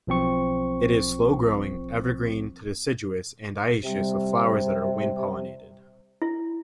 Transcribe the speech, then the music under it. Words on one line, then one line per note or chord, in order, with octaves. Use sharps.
It is slow-growing, evergreen to deciduous, and dioecious, with flowers that are wind-pollinated.
B1 F3 C4 C#6
C3 G3
E4